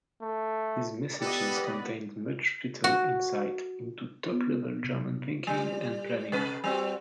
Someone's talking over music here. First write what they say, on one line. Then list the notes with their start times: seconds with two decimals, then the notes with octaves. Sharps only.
These messages contained much vital insight into top-level German thinking and planning.
0.23 A3
1.21 B3 G4 A4 B4 D5 D#5
2.84 F#4
4.32 B3
4.84 C3
5.47 G3
6.32 C3 B4
6.64 G3 C4 F#4